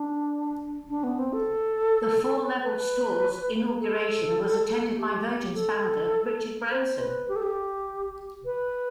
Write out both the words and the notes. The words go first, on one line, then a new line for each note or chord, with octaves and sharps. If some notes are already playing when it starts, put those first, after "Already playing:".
The four level store's inauguration was attended by Virgin's founder Richard Branson.
Already playing: D4
D4
B3
C4
A4
B4
A4
G4
A4
C5
B4
G4
A4
G4
B4